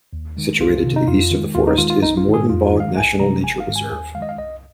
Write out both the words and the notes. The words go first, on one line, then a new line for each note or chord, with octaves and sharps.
Situated to the east of the forest is Morden Bog National Nature Reserve.
D#2
D#3 G#3
C2 F4
C3 D#3
D#4
F2 F4
D#3 G#3
D#2 F4
D#4
D#3 G#3 F4
F4
A#1 D#4
F4
G#2 D#3 G#3
G#4
F2 F4
F4
D#3 G#3
F5
C2 G#5
C3 F3 G#3 A#5
G#1 G#5
F5
G#2 D#3 G#3
G#5
D#2 G#5
D#3 G#3 F5
D#5
F5
C2 D#5